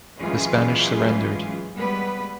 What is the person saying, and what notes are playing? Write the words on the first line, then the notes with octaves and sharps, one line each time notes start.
The Spanish surrendered.
E3 F#3 G#3 C#4 F4 G#4
G3 G#3 B3 B4